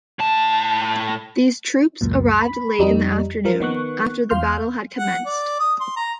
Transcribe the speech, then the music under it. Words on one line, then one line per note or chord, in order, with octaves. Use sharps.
These troops arrived late in the afternoon, after the battle had commenced.
A2 A5
C#2 F#2 A#2
B5
F2 G3 D#4
F3 A#4
D#3 B3 C#6 F#6
E2 F5 C6 F6 G6
F#5
D5
D#6
C6
A#5